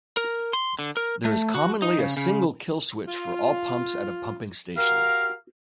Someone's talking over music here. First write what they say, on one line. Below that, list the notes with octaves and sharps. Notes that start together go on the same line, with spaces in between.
There is commonly a single kill switch for all pumps at a pumping station.
A#4
C6
D3
A#4
A3
F#4
D#4
C#3
C#3
F4
F#4 G4 A#4 F5